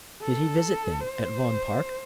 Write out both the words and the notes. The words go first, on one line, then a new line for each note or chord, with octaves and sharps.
"Did he visit then at Vaughan Park?"
A4
C5